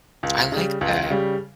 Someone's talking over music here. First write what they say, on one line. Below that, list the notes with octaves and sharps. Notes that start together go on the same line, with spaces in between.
I like that.
C#2
C#3 G3
C#2
C#3 G3